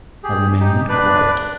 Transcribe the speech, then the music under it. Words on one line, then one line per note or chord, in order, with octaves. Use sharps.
I remained quiet.
G4 G#4
D#4 G4
D4 B4 D5